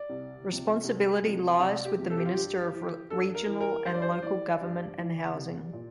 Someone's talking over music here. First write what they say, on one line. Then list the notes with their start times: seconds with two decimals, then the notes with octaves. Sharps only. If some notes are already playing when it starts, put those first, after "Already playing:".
Responsibility lies with the Minister of Regional and Local Government and Housing.
Already playing: D5
0.10 C2
0.48 C3 F3
0.84 C2
1.22 C3 F3
1.60 C2 D5
1.85 G4
1.98 C3 F3
2.10 A4
2.17 G4
2.25 F4
2.33 G2 G4
2.73 E3
3.10 G2 A4
3.35 A#4
3.48 E3
3.60 A#4
3.85 G2 C5
3.94 D5
4.02 C5
4.22 E3 D5
4.60 G2
4.98 E3
5.35 C2
5.73 A#2